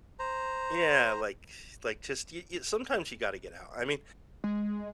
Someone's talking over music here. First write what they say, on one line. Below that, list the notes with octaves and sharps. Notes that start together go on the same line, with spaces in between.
Yeah, like like, just y you sometimes you gotta get out. I mean
C5 A#5
G#3